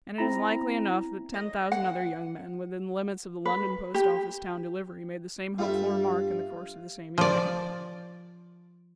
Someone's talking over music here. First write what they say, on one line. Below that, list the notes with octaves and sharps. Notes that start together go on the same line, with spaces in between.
And it is likely enough that ten thousand other young men, within the limits of the London Post-office town delivery, made the same hopeful remark in the course of the same evening.
C4 E4 A#5
D#5
F#5
B4
G4
G2 G3 F4 A4 E5
F3 D5